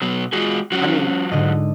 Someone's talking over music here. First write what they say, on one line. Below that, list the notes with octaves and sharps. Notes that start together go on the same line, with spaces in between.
I mean
B2 F#3 B3
G#3 F4 F#4 G#4
F#3 C#4 F4 F#4
G#2 D3 D#5